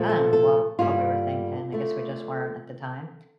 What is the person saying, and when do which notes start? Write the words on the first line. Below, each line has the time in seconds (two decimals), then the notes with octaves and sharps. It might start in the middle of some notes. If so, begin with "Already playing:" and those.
I don't know what we were thinking, I guess we just weren't at the time.
Already playing: A#2 F3 A3
0.09 A4
0.33 A4
0.79 G2 D3 G3 A#3 F4
1.72 D3 A3